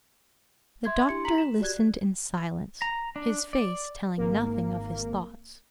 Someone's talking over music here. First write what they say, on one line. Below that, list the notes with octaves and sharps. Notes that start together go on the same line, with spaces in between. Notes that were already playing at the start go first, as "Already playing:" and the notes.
The doctor listened in silence, his face telling nothing of his thoughts.
E5 C6 G#6
D4 E4 G4 C6 C#7
A#5 B6 F#7
E7
F#4 G4 D5 F#6 G#6
A#5
D4
D5
G#1 A#3 A#4